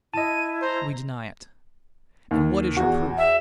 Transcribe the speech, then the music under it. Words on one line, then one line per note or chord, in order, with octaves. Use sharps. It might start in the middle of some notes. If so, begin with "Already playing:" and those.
We deny it; and what is your proof'?
E4 D#5 A5 D#7
C5 A#5
D#2
E2 F#4
E5